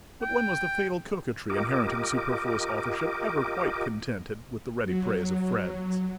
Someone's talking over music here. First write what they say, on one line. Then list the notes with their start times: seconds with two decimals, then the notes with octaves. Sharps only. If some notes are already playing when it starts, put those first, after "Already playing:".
But when was the fatal coquetry inherent in superfluous authorship ever quite contented with the ready praise of friends?
0.22 G5
1.50 F4 G4 A#4 D#5 D6
4.85 F#3